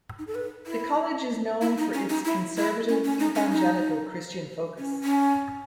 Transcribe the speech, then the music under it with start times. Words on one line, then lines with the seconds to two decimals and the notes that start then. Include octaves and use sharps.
The college is known for its conservative evangelical Christian focus.
0.19 D#4
0.27 A4
0.35 B4
0.67 E4
1.61 E4
1.77 D#4
1.93 C#4
2.09 D#4
2.25 E4
2.57 E4
2.89 C#4
3.04 C#4
3.20 D#4
3.35 C#4
3.52 D#4
4.79 C#4
5.04 C#4